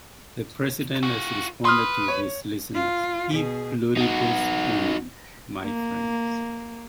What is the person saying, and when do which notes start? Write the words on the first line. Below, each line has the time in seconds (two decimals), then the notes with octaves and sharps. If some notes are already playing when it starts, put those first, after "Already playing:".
The President responded to his listeners, "E pluribus unum", my friends.
1.03 F4 F#4
1.65 B4 C6 D#6 F6
2.08 C#5
2.75 F4
3.31 B2 G#4
3.97 D#4 F#4
5.64 A#3